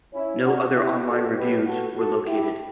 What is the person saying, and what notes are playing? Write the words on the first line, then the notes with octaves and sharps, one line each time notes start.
No other online reviews were located.
C#4 E4
D4 F#4
E4 G4
B1 B2 F#3 F#4 A4
G4 B4
F#4 A4
F#4 A4
E4 G4